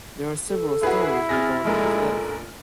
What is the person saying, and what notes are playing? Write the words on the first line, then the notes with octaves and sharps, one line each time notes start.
There are several stories regarding his death.
A4
E4 F#4 G#4 B4
C4 G#4 F6 A6 A#6
F1 A#1 G#3 A4 A#4